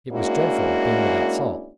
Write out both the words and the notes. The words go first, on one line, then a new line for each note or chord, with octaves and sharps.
It was dreadful, being without salt.
G#3 A#3 C#4 D4 E4 F#4